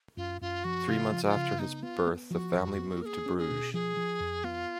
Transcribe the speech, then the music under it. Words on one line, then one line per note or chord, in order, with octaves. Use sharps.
Three months after his birth, the family moved to Bruges.
F#2 F4
F#2 F4
F3 F#4
C#3 F4
F3
F#4
F4
C#3
B3 D#4
B3 F4
B3
F3 F#4
F2
B3
A#3 G#4 A#4
C#4
G#4
B2
F3 G#4
F3
F2
B3 F4